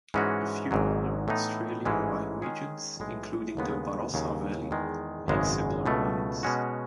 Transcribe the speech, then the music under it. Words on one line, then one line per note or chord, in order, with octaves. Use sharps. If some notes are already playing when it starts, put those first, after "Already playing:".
A few other Australian wine regions, including the Barossa Valley, make similar wines.
G#2 E3 G#3 C#4 F#4
G#1 G#2 F#3
A2 E3 B3 D#4
A1 G#2 E3 G#3 C#4
D#3 G#3 C#4 G#4
B1 A2 E3 G#3
D#2 C#3 G#3 B3
D#2 C#3 F#3
E2 D#3 G#3
G#1 F#2 C#3 G#3 B3
C#2 B2 A3
B2 G#3 C#4 F#4